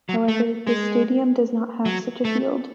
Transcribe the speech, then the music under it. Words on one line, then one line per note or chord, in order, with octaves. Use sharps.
However, this stadium does not have such a field.
F#3
A3
G#3
F#3
A3